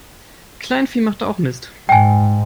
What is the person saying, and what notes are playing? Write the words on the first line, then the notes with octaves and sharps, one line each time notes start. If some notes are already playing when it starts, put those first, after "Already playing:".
Kleinvieh macht auch Mist.
G#2 G5 G#5